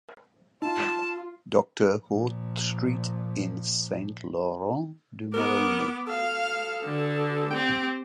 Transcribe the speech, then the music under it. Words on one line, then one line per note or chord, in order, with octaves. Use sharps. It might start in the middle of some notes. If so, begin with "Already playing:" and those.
Docteur Horth Street in Saint-Laurent-du-Maroni.
D#4 F4 A5
A#2 F3
B3 A#4 D6
A4 F5
D3
C4 G4 G5